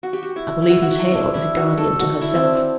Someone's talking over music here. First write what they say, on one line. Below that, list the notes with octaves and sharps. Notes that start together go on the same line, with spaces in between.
I believe Miss Hale is a guardian to herself.'
F#4
G4
F#4
E4
E4
F#4
F#4
E4
D4
E4
F#4
A4
F#4
E4
C4
D4